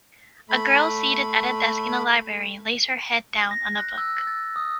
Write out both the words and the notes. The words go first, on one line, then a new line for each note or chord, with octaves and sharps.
A girl seated at a desk in a library lays her head down on a book.
A3 B5
A#6
F#6
E6
A6
D#6